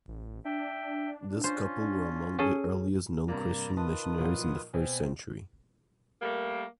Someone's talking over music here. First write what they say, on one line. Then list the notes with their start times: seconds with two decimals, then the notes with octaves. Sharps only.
This couple were among the earliest known Christian missionaries in the first century.
0.08 A1
0.45 D4 E5 G5
1.44 C#4 F4 C5
2.39 C#4 G#4 A4
3.28 G2 C3 A#3 D5 A#5
3.77 D#3 F4 B4 A5 D#6
4.18 A#2 F3 F#3
4.74 B2 C4 G#5
6.22 G3 A3 A#3